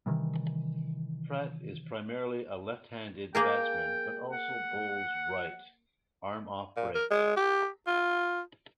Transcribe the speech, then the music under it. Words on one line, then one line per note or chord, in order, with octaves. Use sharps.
Pratt is primarily a left-handed batsman but also bowls right-arm off breaks.
C3 D#3 E3 G3
A#3 G#4 A#4 G5
F#5
A#2
A#4
G#3
G4
F4